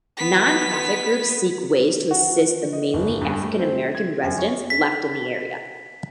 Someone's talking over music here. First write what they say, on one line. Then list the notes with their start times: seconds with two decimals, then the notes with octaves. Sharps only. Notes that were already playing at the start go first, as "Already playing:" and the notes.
Non-profit groups seek ways to assist the mainly African-American residents left in the area.
0.17 B3 B6
2.11 F#4
2.31 F3
2.73 D#5
2.94 G1
3.21 G2
3.42 A3
3.59 C4
3.95 G#6
4.23 F#2
4.38 C#5
4.70 B6